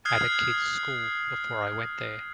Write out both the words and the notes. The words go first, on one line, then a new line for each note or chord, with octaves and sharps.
At a kid's school before I went there.
D#6 F6 F#6 G#6 C7